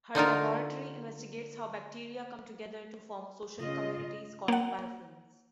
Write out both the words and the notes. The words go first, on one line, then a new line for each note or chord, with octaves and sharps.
Her laboratory investigates how bacteria come together to form social communities called biofilms.
D3 D#4 F4 A#4
C#3 F4 D#5
A#3 F#5